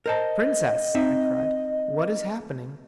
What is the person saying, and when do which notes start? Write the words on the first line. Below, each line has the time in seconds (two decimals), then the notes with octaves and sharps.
"Princess!" I cried, "what is happening?"
0.06 A#4 C5 D#5 A5
0.95 C4 D#4 E5